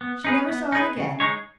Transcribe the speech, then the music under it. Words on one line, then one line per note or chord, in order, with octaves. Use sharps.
She never saw it again.
B3
D#4 G#4 B4
B3
D#4 G#4 B4
C#3
G#3 D#4 G#4 C#5